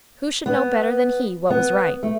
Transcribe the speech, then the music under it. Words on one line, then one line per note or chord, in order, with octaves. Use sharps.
Who should know better than he what was right?
B3
B3
A3